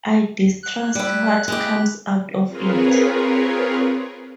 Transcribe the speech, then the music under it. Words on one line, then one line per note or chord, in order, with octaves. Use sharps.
I distrust what comes out of it.
F#6
G3 E4
G#3 E4 G4
C4 F4 G#4 A#4 B4 C#5